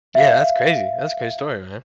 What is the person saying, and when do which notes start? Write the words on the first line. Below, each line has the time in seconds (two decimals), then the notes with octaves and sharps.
Yeah, that's crazy. That's a great story, man.
0.15 E5 F5